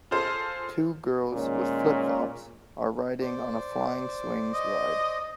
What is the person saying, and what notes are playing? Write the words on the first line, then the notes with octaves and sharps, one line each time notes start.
Two girls with flipflops are riding on a flying swings ride.
F4 G#4 A4 C5
A#2 D#3 G#3 C#4
C5 D5
D#5